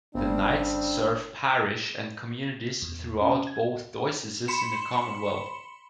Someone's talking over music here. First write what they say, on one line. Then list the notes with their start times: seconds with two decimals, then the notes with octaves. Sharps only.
The Knights serve parish and communities throughout both dioceses in the Commonwealth.
0.15 G1 C#3 G3 C4 D4
2.82 E2
3.21 C#4
3.47 G#6
4.48 B5 C6 C#7 E7